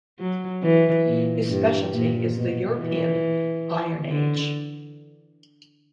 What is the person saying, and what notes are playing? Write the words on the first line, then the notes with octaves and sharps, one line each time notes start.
His speciality is the European Iron Age.
F#3
E3
A#2
G2
A#2
B2
E3
D3